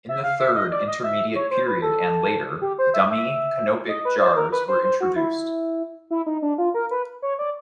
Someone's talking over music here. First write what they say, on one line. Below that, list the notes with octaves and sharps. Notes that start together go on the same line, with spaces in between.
In the Third Intermediate Period and later, dummy canopic jars were introduced.
E5
F5
E5
D#5
D5
D#5
E5
C#5
C5
B4
A4
G4
C5
E5
E5
D#5
B4
C5
A#4
B4
C5
C5
F#4
E4
E4
D#4
D4
F4
A#4
B4
C#5
D5